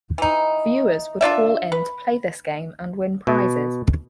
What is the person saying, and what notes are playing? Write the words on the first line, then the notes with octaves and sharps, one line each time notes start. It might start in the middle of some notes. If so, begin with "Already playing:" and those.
Viewers would call in to play this game and win prizes.
E3 D#4
D4 F4 D5 E5
B4
B2